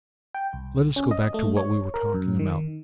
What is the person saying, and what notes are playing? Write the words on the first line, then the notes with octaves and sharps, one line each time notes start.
Let us go back to what we were talking about.
G5
C2
C#4
D#5
A3
C#5
A#4
F#2
D#3